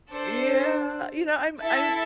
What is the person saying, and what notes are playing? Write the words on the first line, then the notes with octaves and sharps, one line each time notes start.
Yeah, you know, I'm I'm
D4 A4 C5
E4 A4 E5 A5